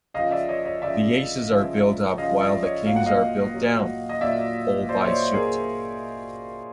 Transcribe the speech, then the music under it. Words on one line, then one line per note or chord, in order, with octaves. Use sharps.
The aces are built up while the kings are built down, all by suit.
C#3 F3 D#5 F5
D5 E5
C#5 D#5
C#5 D#5
C#3 F3 D5 E5
C#3 F3
C#3 F3 D#5 F5
D5 E5
C#5 D#5
A#2 F#3 F5
F#5
D#5 F5
A#2 F#3
D#5
A#2 F#3 D5 E5
A#2 F#3 C5 D5
C#5
C5 D5
G#4 A#4